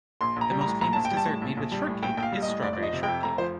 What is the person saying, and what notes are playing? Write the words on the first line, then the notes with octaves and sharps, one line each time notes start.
The most famous dessert made with shortcake is strawberry shortcake.
A#1 C6
A#1 A#5
G3
A#5
A2
A#1 A#5
A#1 A5
G5
G3
A5
A2
A#1
A#1
G3
A2
A#1 G5
A#1 G5
F5
G3
D#5
A2
F1 D5
F3 D5
D#5
C3
G5
F2
F1 A#5
F3 C5